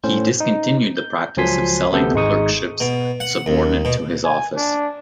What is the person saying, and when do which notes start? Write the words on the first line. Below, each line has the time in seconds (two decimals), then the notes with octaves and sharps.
He discontinued the practice of selling the clerkships subordinate to his office.
0.04 A2 C#4 C5
0.40 D#4
0.97 G6
1.37 C#2 F3 F#3 G#5 C6 B6
1.92 D2 C3 B3 A4 G6
2.14 G#1 G#3 D#4 C#6 D#6
2.80 B2
3.20 F#5
3.46 D#2
3.85 B2
4.24 G#5
4.56 D4